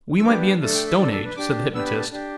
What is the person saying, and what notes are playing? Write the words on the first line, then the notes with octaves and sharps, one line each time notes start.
"We might be in the Stone Age," said the hypnotist.
E6
B3 D4 G4 D6
A3 D4 A4 A5
G5
E5
D4 A4 D5
A4
D5
B4
D4 G4 D6
B3 D4 G4 E6
B5
A5
D4 G4